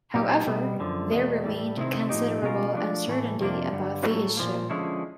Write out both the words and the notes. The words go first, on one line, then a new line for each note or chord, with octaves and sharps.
However, there remained considerable uncertainty about the issue.
A#2 F#3 B3 D#4 G4
B2 G3 B3
F#2 D3 F3
E2 B2 G#3
A2 E3 G3
C3 D#3 G#3 C4 E4
A2 F3 A#3 D#4 G4
B2 G#3 C#4 F4 A#4
F3 A3 D4
A2 E3 A3
F2 C3 F3 A#3 D4
G2 D3 G3
A2 F#3 A3
A#2 F3 A#3
D3 F3 G#3 C#4 E4